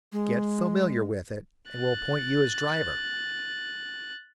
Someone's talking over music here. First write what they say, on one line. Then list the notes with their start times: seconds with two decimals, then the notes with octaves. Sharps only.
Get familiar with it and we'll appoint you as driver.
0.12 G#3
1.71 F#6 A6